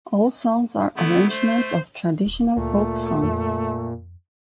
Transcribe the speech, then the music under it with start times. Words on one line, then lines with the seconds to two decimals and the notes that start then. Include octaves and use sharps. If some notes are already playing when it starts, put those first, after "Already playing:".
All songs are arrangements of traditional folk songs.
0.96 D3 A3 B3 E4
1.30 A3 C5
2.26 D#1
2.57 D2 A#2 A3
3.23 F2